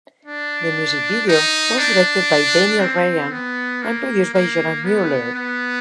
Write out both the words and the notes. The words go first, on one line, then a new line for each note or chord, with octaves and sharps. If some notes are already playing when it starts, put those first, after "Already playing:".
The music video was directed by Daniel Ryan and produced by Jonah Mueller.
D4
D#4
D4
C4
B3
A#3
A#3
B3
B3